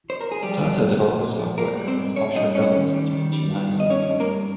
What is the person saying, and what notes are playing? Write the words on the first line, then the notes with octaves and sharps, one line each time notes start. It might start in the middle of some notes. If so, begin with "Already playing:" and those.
Tata developed the software at its offshore development center in Chennai, India.
C5
A#4
G#4
F3 G3 G4
F3
A#2
A#2
A#2
F3
G3 A#3 A#4
G3
C4 C5
G#2
G#2 C#4 C#5
G3 D#4 D#5
G#2 C#4 C#5
D#3
G3
D#3
G3
G2
D#3
D#5
G3 C#4 C#5
G2
A#3 A#4
G2